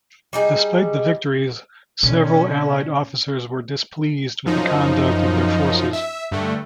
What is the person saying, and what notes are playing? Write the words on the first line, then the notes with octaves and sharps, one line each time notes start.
Despite the victories, several allied officers were displeased with the conduct of their forces.
G3 D#4 G#4
B2 D3 C#4
F#2 F3 D#4
E5
G2 D3 A3